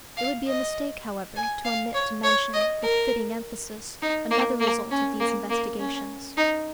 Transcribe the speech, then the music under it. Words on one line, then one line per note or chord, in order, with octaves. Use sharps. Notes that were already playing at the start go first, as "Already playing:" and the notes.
It would be a mistake, however, to omit to mention, with fitting emphasis, another result of these investigations.
F5
D#5
G#5
F5
C#5
C#5
D#5
A#4
D#4
A#3
A#3
C#4
A#3
A#3
C#4
D#4